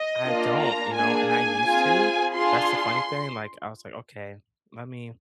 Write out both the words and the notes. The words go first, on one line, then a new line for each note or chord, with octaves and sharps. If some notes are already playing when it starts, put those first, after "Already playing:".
I don't, you know, and I used to, that's the funny thing, like, I was like, "Okay, let me
Already playing: D#5
A#3 D4 F4
A#5
A#3 D4 G#4 G#5
G#5
C4 F4 G#4
D4 F4 G#4 C6